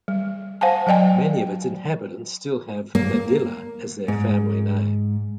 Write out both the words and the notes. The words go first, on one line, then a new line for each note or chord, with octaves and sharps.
Many of its inhabitants still have "Padilla" as their family name.
G3
C5 F5 F#5 G#5 A5
F#3 D5 D#5 G5 G#5
A#3
G#2